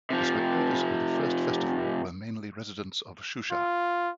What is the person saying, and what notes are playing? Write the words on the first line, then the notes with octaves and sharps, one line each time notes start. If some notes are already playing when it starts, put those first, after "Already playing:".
The spectators of the first festival were mainly residents of Shusha.
C3 F3
F4